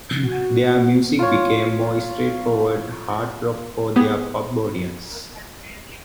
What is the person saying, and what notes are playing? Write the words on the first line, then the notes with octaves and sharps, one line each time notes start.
Their music became more straightforward hard rock for their pub audiences.
F#4
F4 C#5
B3 G4 G#4